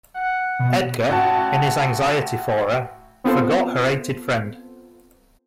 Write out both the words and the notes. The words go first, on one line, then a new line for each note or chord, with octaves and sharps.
Edgar, in his anxiety for her, forgot her hated friend.
F#5
B2
A1 F#4 A5
B3 C4 F4 A4 C5